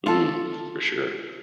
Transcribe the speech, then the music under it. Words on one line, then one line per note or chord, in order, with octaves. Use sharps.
Mm, for sure.
F4 A4